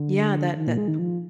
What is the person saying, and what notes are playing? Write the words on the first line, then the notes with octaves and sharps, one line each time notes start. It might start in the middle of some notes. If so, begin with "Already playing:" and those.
Yeah, that that p
Already playing: D3
D#3
A#2
G#3
D#3
F3